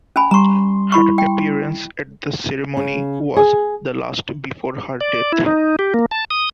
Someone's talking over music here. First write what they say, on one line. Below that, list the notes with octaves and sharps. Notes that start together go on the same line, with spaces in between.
Her appearance at the ceremony was the last before her death.
C#4 G#5 B5
G3 A#5 C6 C#6
E4 B5 C#6
G5
C#3
G#4
D5
E4
D#4
G4
A#3
A5
D#6